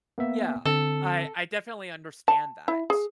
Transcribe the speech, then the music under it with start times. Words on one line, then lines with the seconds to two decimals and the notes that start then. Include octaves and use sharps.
Yeah, I I definitely understand that.
0.18 A#3 B3 E5
0.65 D3 C4 A4
2.28 A5
2.68 E4
2.90 G#4